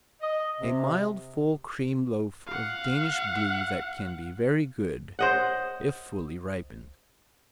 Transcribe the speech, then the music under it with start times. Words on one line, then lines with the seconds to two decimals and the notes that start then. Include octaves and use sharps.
A mild, full cream loaf of Danish blue that can be very good if fully ripened.
0.21 D#5
0.60 C3
2.47 F5 F#5
5.19 C5 D#5 F#5